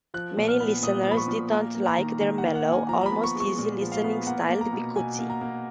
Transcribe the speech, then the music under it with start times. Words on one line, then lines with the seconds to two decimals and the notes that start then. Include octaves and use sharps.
Many listeners did not like their mellow, almost easy listening-styled bikutsi.
0.14 F3 F#6
0.37 A#2
0.48 F6
0.60 B3
0.83 A#2 D#6
1.05 F3
1.11 B5
1.17 C#6
1.28 A#2
1.51 A#3 A#5
1.75 A#3
1.87 A#5
1.98 D#3
2.20 D#3 A#5
2.38 F#5
2.44 A#3
2.55 F#5
2.66 A#3
2.72 G#5
2.89 F3 A#5
3.01 A#5
3.06 B5
3.12 B3
3.24 C#6
3.35 G#3 C#6
3.59 A#2
3.81 F3
3.92 F5
4.04 B3
4.27 A#3 F#5
4.49 A#3
4.61 A#5
4.73 B2
4.96 B2 G#5
5.19 A#3
5.30 A#5
5.41 A#3